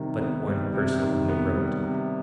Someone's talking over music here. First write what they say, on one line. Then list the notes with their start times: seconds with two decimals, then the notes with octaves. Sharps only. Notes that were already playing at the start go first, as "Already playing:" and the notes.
"But one person only wrote!"
Already playing: C3 D#3 G3
0.21 B3
0.48 G3
0.74 C3
1.01 D#3
1.29 B3
1.57 G3
1.83 C3